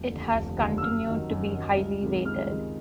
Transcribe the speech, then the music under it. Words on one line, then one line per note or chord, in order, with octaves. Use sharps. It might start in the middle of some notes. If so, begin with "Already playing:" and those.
It has continued to be highly rated.
Already playing: F1
D#2 D3
F1
D#2 D3
E6
F#2 F6
D#3 F#3
F#2
D#3 F#3
C#2
C3 D#3 G#3
C#2 F6
C3 D#3 G#3